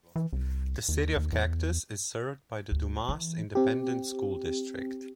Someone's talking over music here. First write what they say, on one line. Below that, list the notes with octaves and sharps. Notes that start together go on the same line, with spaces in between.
The City of Cactus is served by the Dumas Independent School District.
E3
C2
D#2
D#2
E2
D2
E3
C4 G4